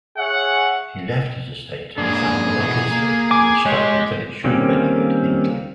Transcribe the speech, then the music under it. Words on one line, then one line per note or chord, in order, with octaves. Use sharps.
He left his estate to Nathaniel Eckersley and instructed that it should benefit Hindley.
G#4 C#5 E5 F#5
G#2 A#3 D4 G#4
B2 E3 B3
A#3
G#5 D6
G#3 G4 C#5
D#3 G3 A#3 C4 C#4